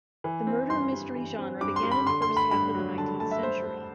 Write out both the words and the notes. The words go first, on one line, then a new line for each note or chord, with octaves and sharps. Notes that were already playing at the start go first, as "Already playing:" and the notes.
The murder mystery genre began in the first half of the nineteenth century.
E3
C4
G2 C6
G3
E3
C4
G2 D6
C6
G3
B5
D3 C6
C6
A3
B5
G2 B5
F#3
D3 A5
A3 A5
E5
C5